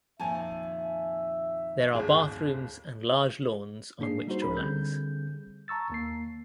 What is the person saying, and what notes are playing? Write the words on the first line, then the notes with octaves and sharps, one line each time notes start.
There are bathrooms and large lawns on which to relax.
F2 A#2 D#3 E5 G#5 A5
D1 G1 G#4
A2 A#3 D4 G#4 C7
G3 D#4 F#4 C5
C#2 F3 C#4 A#4 B5
D3 G3 C4 G#4 G6
A5 A#5 C#6 E6 A6
D#2 A#3 C7